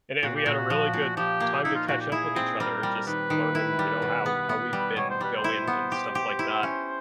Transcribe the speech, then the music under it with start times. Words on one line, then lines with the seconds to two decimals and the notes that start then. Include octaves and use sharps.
And then we had a really good time to catch up with each other, just learning, you know, how how we've been going and stuff like that,
0.23 A#2 F#4
0.35 G4
0.46 A#2 F#4
0.70 F3
0.93 A#2
1.17 F3 G4
1.40 A#3
1.63 D#4 E4
1.75 F4
1.88 A#2 F#4
2.01 G4
2.12 E4 G#4
2.36 C4
2.60 G3 A#4
2.83 G3
3.07 D#3 B4
3.30 D#3
3.55 E4
3.79 G3
4.02 B2
4.26 B3
4.49 B3
4.73 G3
4.96 B2 C#5
5.10 C5
5.21 G3 B4
5.37 C5
5.44 E4
5.67 B3
5.92 G4
6.15 G4
6.39 E4
6.63 C#4